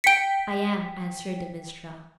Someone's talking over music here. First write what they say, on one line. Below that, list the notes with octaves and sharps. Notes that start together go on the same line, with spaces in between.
"I am," answered the minstrel.
G5 B6 C#7 D7